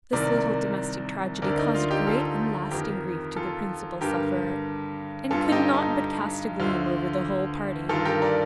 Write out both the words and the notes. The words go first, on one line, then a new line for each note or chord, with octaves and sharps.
This little domestic tragedy caused great and lasting grief to the principal sufferer, and could not but cast a gloom over the whole party.
C2 C3 D#3 A#4 D5
D2 D3 A#4 D5
D#4
F4
D#4 G4
F4 A4
F2 D#3 G4 A#4
F4 A4
G2 D3 G4 A#4
G2 D3 F4 A4
D#4 G4
D#4
D2 D3 F4
G2 D#3 F4 A4
G4 A#4
A#4 D5